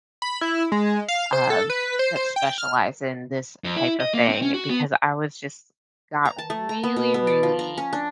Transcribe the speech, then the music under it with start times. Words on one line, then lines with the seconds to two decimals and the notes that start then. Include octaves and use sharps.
um, that specialize in this type of thing, because I was just got really really,
0.22 B5
0.41 E4
0.72 G#3
1.08 F5
1.33 C5
1.50 A4
1.70 B4
1.99 C5
2.16 C5
2.36 G5
2.58 F6
3.64 F2
3.76 E4
4.00 D#5
4.14 A#3
4.29 C4
4.42 C#4
4.54 F#4
4.69 B3
6.25 A#5
6.38 A5
6.50 A3
6.69 A#5
6.83 B3
6.96 B2
7.14 B3
7.27 D5
7.43 F3
7.59 A#5
7.78 C#4
7.93 D4